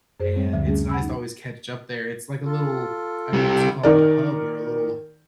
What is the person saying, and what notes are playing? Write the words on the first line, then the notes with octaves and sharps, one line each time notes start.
and it's nice to always catch up there. It's like a little I guess you call it a hub or a little
F#2 G#4 C5
G3 C4 C#5
D2 D3 F3 E5
G3 A3 C#4 G#4
F#5 G#5 B5 E6
D#4
F4 A4
C3 G3
D#3 A#4 D5